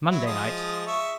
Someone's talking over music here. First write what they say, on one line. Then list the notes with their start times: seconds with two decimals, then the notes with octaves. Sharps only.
Monday night?
0.11 F#3 E4
0.26 F3 G#3 D#6
0.86 E5 C#6